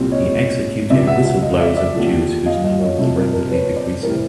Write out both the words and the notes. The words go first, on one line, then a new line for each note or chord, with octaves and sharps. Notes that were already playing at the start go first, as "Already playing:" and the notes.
He executed whistleblowers of Jews whose number was rapidly decreasing.
Already playing: C2 A#2 G3 C4
C#5 D#5
C#2 C#3 F3 D5 E5
E5 F#5
E5 F#5
D#5 F5
D5 E5
D5 E5
D#2 D3 F3
D#5 F5
D#5 F5
C#5 D#5
F2 C3 F3 A3
A#4 C5
A#4 C5
B4 C#5
C5 D5
A2 E3 G3 A#4 C5